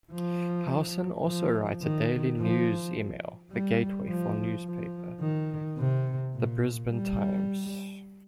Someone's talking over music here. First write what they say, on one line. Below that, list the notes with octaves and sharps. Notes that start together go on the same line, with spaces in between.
Howson also writes a daily news email The Gateway for newspaper "The Brisbane Times".
F3
F3
D#3
F3
G3
F3
F3
D#3
C3
A#2
G3